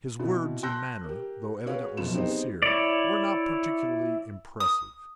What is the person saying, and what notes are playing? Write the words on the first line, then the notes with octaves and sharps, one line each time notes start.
His words and manner, though evidently sincere, were not particularly impressive.
B2 C4 E4
A5 C6 E6 F#6 G6 A#6
G4 A#4
F#4 G#4 B4 C#5 F5
F1 F#2 B2 F3 F4 E7
B3 C4 D#4 G4 G#4 C5
E4 C#5 D5
D#6